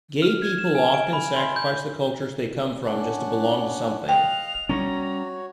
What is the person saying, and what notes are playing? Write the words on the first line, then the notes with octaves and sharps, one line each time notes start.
'Gay people often sacrifice the cultures they come from just to belong to something.
F6
G#6
E7
G#5
D7
B5
C6
G6
C#4 D4 F#5
D#5 F5 G5 F#6 F7
G3 G#3 C#4 F#4 C#5 A#5